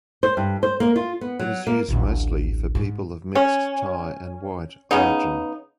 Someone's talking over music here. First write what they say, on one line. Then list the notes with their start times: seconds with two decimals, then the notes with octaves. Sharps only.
It is used mostly for people of mixed Thai and white origin.
0.23 C5
0.37 G2
0.63 C5
0.80 A#3
0.96 F4
1.21 B3
1.39 F#3
1.67 A#3
1.89 D1 A1
2.75 G#2
3.35 C#4
4.91 C#3 B3 D#4